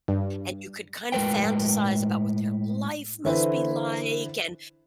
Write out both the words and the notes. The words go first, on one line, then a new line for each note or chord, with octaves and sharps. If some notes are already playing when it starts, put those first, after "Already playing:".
and you could kind of fantasize about what their life must be like, and
G2
A2 G#3 A#4 B4 G5
D3 E3 E4 B4 C5